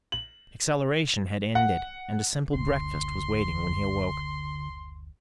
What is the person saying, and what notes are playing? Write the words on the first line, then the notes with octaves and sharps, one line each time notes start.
Acceleration had ended, and a simple breakfast was waiting when he awoke.
F#7
F#5
F#1 D2 D3 C6